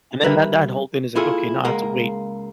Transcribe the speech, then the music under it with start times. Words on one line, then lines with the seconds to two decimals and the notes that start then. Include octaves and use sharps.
and then that that whole thing is like, okay, now I have to wait,
0.23 G3 A#4 B4 E5
1.15 A#3 E4 F4 G#4 A4 G#5
1.65 C#2 G#3 A#3 F#5